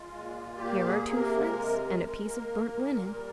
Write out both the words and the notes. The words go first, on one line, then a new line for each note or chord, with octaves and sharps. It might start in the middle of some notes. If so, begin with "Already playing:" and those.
"Here are two flints and a piece of burnt linen."
Already playing: G#3 F4
A#2
A#3 G4
G#4
C3
A#4
G#3 A#4
G#3
A#3
A#2
G3